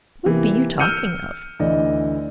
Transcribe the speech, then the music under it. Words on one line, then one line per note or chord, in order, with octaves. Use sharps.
"What be you talking of?"
C3 E3 A#3
E6 F6 G6 C#7 D#7
D2 D3 E3 D5 D#5